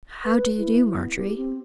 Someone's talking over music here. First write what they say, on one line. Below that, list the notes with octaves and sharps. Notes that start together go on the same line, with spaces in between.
'How do you do, Margery?
B4
E4
B3
G4
C4